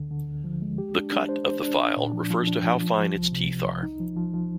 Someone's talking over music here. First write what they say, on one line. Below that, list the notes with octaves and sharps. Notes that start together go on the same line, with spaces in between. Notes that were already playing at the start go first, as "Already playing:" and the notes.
The "cut" of the file refers to how fine its teeth are.
Already playing: D2 D3
D3
D2
F3
G#3
G4
D4
D4
C5
C5
D4
D4
A#2
F3
F3
D4
F3
F3
F3
C2
C3
C3
C2
D#4
F3
F3
F3